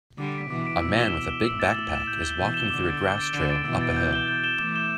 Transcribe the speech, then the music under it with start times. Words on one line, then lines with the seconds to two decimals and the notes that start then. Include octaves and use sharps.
A man with a big backpack is walking through a grass trail up a hill.
0.18 D3 G3 D6
0.35 B6 D7
0.50 B2 E3 D6
0.66 B6 D7
0.82 B2 E6
0.97 B6 E7 G7
1.13 E6
1.28 B6 E7 G7
1.44 A2 E6
1.60 A6 E7
1.77 E6
1.91 A6 E7
2.07 A2 G6
2.23 E7 G7
2.38 B2 E3 G6
2.54 E7 G7
2.70 D3 D6
2.86 A6 D7
3.01 D6
3.18 A6 D7
3.33 D3 E6
3.50 A6 D7
3.65 B2 E3 E6
3.81 A6 D7
3.96 G6
4.13 E7 G7
4.28 G6
4.44 E7 G7
4.59 E3 A3 D6
4.75 G6 E7 G7